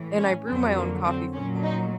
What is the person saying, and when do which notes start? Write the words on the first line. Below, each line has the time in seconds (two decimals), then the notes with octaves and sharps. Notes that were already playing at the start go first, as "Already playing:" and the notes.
And I brew my own coffee from home.
Already playing: A2 E3
0.17 C#4
0.47 F2 D3 F#3 C4
0.76 A#3
1.05 C4
1.34 A#2 F#3 C#4
1.63 D#4